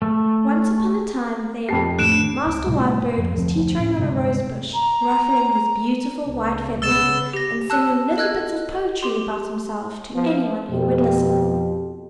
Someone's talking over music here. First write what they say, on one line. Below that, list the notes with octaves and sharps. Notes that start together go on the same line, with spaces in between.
Once upon a time, then, Master Whitebird was teetering on a rose-bush, ruffling his beautiful white feathers and singing little bits of poetry about himself to any one who would listen.
A3
F2 G4 A5 C7
A2 D#3 A3 D4 F#6 D7 E7
C#2
A2 C3 G3 A3
F2
F1 D2 F3 C4
A2 C#4
D2 G2 C3 G#3
A#5
C#2
C#3 B3 E6 A6 E7
G4 A#6
A5 E6 F#6
A4 D#5 F#6 G#6
G4 C6
F3 B3
F2 B2 G4